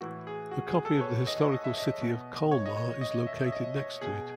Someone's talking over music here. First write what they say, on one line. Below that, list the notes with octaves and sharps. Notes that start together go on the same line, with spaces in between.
A copy of the historical city of Colmar is located next to it.
A2 E3 F#4
G#4
F#4
G#4
A4
B4
C#5
D#5
D#5
E5
D#5
B2
C#5
D#5
C#5
D#5
E5
E5
D#5
C#5
B2 G#4